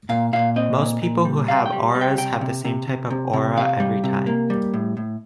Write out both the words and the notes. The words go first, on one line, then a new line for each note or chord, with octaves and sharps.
Most people who have auras have the same type of aura every time.
A#2 F5
A#2 F5
C4 D#5
A#2
A#2
G3
C3 F5
G5
G3
G3
G5
C3 G5
C3
C3
C3
C3
C3
C3 F5
G3
C3
A#3
G3
A2
A2